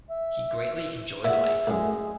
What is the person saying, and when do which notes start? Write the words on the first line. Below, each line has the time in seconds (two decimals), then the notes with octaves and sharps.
He greatly enjoyed life.
0.08 E5
1.25 A#2 G#4 E5 F#5
1.67 F#2 A2 G#3